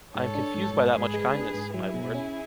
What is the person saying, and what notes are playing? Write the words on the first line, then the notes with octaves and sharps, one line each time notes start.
I am confused by that much kindness, milord.
G#2 A4 C#5
D4
G#2
G#2
G#2 G#4 B4
G#3
D4
G#2
F#3 E4 G#4
B2
C#4